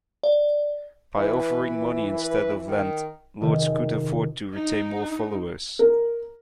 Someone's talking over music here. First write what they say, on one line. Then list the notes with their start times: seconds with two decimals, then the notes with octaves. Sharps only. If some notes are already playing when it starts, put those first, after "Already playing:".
By offering money instead of land, lords could afford to retain more followers.
0.23 D5
1.18 E3 B4
2.16 B4
2.68 D#3
3.41 F1 C3 D#3 G#4 E5 G5
4.54 D#4
5.79 A#4